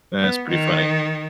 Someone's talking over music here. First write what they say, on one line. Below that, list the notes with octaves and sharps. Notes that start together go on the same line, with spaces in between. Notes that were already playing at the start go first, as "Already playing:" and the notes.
That's pretty funny.
B3
D#3